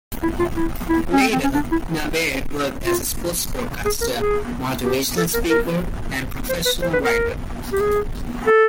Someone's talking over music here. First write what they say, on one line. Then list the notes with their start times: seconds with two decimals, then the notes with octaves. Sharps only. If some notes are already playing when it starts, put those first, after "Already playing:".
Later, Naber worked as a sports broadcaster, motivational speaker, and professional writer.
0.23 E4
0.39 F4
0.56 E4
0.89 E4
1.13 C#4
1.21 C4
1.33 C4
1.44 C#4
1.54 D4
1.71 E4
2.86 F4
3.85 G#4
4.01 A#4
4.18 G#4
4.84 G4
5.17 A4
5.34 A#4
5.50 A#4
6.49 C5
6.65 B4
6.82 C5
6.93 B4
7.04 A#4
7.72 G4
7.80 G#4
8.47 A4